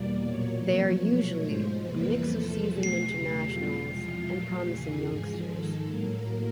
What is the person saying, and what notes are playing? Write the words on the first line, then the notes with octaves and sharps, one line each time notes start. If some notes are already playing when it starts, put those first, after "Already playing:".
They are usually, a mix of seasoned internationals, and promising youngsters.
Already playing: E2 B2 G3 A#3 D5
A#2 F#3 A#3 C#5
C3 F3 A#3
B2 F#3 A3
G#2 F3 G#3 C5
E2 C3 E3 G3 A#3 B4
E2 C3 F3 A3 A4
B2 F#3 A3 G#4
E2 C#3 F#3 A3 G4
E2 B2 G3 F4
E2 C3 F3 G#3 F4
A#2 F#3 A3 G4
E2 C#3 E3 G#4
G#2 F3 G#3
G#2 D#3 G#3 A4
A2 F#3 A#3 A#4